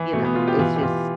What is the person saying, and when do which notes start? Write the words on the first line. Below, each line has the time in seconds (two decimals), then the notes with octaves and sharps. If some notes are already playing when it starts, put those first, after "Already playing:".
You know, it's just
Already playing: E3
0.13 B2 A3
0.25 B3
0.35 B2 F4
0.48 G4
0.59 E3 F4
0.76 G4
0.82 E3 F4